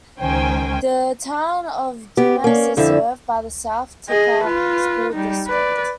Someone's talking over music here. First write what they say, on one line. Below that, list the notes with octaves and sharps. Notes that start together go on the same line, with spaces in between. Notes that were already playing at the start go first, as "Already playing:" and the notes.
The Town of Dumas is served by the South Tippah School District.
C#2 D#3 C#4 C5 G5 G#5
B3 G4
A#3 C#4
F2 D3 F3 E4 E5
G#4 D#5
F4 B4
G3 D#4
B4 D5